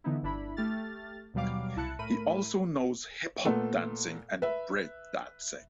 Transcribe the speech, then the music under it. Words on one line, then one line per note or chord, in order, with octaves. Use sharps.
He also knows hip-hop dancing and breakdancing.
D3 E3 B3 D#4 E4
G1 D4 E4 B5
A3 G4 F6 A6
D#2 B2 F#3 G3 F5 D6
C2 E4 A5 F#6 C#7
A2 A3 A#4 B5 D#7
A#2 A3 B3 A4
B4 E5